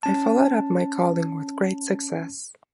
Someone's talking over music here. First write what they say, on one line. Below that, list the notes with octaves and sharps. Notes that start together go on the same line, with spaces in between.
I followed up my calling with great success.
C#4 A5